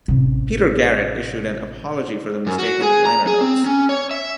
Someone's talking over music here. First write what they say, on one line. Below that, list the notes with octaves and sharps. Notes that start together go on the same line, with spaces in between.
Peter Garrett issued an apology for the mistake in the liner notes.
A1 C3
F#2
F#4
G#4
A#5
G#4
C4
C#4
C#5
E5